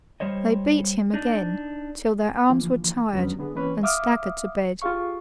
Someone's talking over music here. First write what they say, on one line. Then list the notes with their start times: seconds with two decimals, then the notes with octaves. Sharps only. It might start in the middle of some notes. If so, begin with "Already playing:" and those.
They beat him again, till their arms were tired, and staggered to bed.
0.20 G3 C5 C#5 D#5
1.14 D4 D#4
2.49 D3 E3 F3 A#3
3.13 F2 D3 F#3 G3 B3 C#4
3.38 D3 B3 G#4
3.55 E3 A#3 C4 C#4 B4 C#5
3.83 E5 F5 D6 D#6 F6
4.82 F4 G4 G#4 F5 C#6